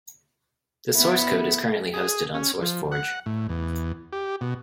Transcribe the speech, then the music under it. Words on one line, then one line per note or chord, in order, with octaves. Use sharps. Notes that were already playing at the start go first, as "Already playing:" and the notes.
The source code is currently hosted on SourceForge.
B3 E4
G#4
C#4
F3
F#5
A2
E2
G4
B2